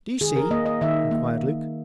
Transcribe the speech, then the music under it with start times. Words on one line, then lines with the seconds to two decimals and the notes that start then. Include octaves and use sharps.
Do you see?' inquired Luke.
0.21 D#3 G#4
0.36 A#4
0.51 A#3 D#5
0.66 D#5
0.81 D#3 E5
1.11 A#3
1.42 D#3